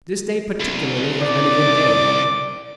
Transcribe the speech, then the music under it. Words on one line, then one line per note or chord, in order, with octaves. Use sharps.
This day particularly has been a good day.
C2
D5 D6